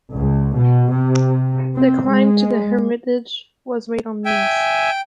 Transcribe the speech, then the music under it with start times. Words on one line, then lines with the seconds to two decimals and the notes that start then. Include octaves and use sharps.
The climb to the hermitage was made on knees.
0.14 C#2
0.57 B2
0.93 C3
1.76 C4
2.09 G#3
4.25 E5 G5 G#5